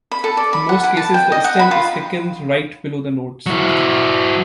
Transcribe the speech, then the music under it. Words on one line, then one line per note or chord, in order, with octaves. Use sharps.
In most cases the stem is thickened right below the nodes.
B5
A4
D5
B5
F#5
E4
A5
G5
D#5
F#5
B5
F4
F#3 E4